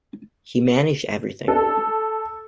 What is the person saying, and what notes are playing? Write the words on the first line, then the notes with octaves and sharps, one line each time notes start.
He managed everything.
A4